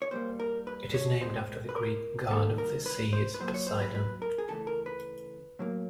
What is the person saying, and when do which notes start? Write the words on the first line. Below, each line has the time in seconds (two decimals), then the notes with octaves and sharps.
It is named after the Greek god of the seas, Poseidon.
0.02 C#5
0.11 A#2 G3 A#3 C5
0.40 A#4
0.67 B4
0.94 C#5
1.21 B2 G#3 C5
1.69 B4
1.76 A#4
2.30 D#3 G3 A#3 A4
2.58 A#4
2.86 B4
3.13 C5
3.34 B4
3.40 A#2 F#3 A#3 C5
3.54 C#5
3.67 C5
3.82 B4
3.95 B4
4.22 A#4
4.38 G#4
4.49 C#3 E3 A3 A4
4.67 A#4
4.86 B4
5.59 A2 F#3 A#3